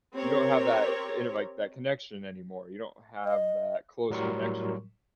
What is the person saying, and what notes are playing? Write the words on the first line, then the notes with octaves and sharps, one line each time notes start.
you don't have that, you know, like, that connection anymore, you don't have that close connection.
C4 G4 A#4 C#5
D#5
A2 F#3 G3 A#4 C6 C#6